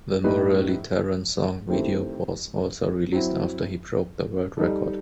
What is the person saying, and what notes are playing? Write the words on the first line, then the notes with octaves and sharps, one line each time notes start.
The Muralitharan Song video was also released after he broke the world record.
A2 G3 D#4 G4 B4
D#3 A3 C4 E4 G4
F#3 C4 E4
G3 D#4 A4